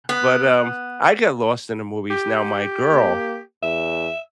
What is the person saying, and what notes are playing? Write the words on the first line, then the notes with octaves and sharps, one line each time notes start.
but, um, I get lost in the movies. Now, my girl
B3
G4
A#3
E2 E5